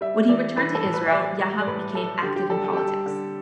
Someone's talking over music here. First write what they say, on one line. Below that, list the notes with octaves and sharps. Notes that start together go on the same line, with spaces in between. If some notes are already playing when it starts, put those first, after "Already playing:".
When he returned to Israel, Yahav became active in politics.
G3 E5
E3 D5
E3 B4
A4
A2
B4
E5
G3 D5
G3 D5
D5
A2 B4
G3 A4
D3 G4
G4
G3 A4
A4
G4
G3 A4
D3